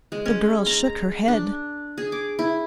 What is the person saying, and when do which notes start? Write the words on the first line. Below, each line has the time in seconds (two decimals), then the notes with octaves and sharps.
The girl shook her head.
0.12 G#3
0.26 C#4
0.66 A#5
1.28 D4
1.98 G#4
2.12 D6
2.39 E4